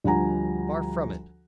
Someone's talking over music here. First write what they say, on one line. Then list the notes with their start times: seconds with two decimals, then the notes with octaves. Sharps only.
Far from it.
0.04 D2 F3 G3 F#5 G#5 A#5